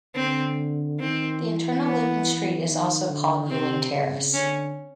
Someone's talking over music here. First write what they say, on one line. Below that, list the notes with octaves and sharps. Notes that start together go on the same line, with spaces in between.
The internal looping street is also called Ewing Terrace.
D3 C4
D#3 C4
E3
B3
D#3
D3
C3 C4
C#3
D3 C#4